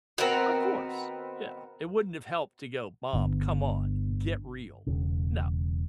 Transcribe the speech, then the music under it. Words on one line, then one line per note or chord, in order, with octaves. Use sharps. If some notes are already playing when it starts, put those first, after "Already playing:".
Of course, yeah, it wouldn't have helped to go, "Mom, come on, get real." No,
D#3 B3 C4 F#4 A#4
G1 D3 B3
E1 C#3